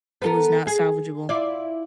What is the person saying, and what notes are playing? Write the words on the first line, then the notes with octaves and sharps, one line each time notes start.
it was not salvageable,
B3 A4 A#4
G#4
E4 F4 D5